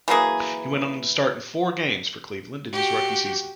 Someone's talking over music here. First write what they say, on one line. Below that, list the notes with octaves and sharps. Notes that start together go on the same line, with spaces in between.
He went on to start in four games for Cleveland in his rookie season.
E3 F#3 A#3 G#4
F#4 G4